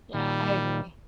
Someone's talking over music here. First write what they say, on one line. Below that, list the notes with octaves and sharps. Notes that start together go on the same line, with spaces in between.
Yeah, I agree.
A#2 D#3 G3